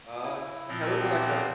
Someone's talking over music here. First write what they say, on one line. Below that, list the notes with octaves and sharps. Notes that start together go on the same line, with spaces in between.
Uh, Katt Williams like a
E4
A#2 F3 C4
B3 F4 G4